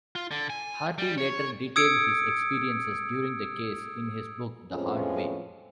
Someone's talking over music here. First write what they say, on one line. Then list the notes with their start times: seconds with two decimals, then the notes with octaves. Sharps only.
Hardy later detailed his experiences during the case in his book "The Hard Way".
0.15 F4
0.31 D3
0.50 G#5
0.98 G3
1.18 C#5
1.76 D#6 E6 G#6 C#7 D7
4.72 F2 A2 F3 G#3 B3 C#4